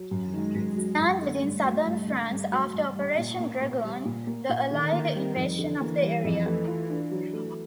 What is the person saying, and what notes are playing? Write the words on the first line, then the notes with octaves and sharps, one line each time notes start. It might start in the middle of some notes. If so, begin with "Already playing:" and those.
It landed in southern France after Operation Dragoon, the Allied invasion of the area.
Already playing: F#3
F#2
D#3 G#3
F#2
F#3
F#2
D3 A3
G2
F#3
G2
D3
G2
F#3
G2
G3
A#2
A#3
A#2
G3
A#2
A#3
A#2
D3 D#3
A#3
G3
F2
D3 E3
A#3
G3
F2
A3
F4
D4
F#3
A3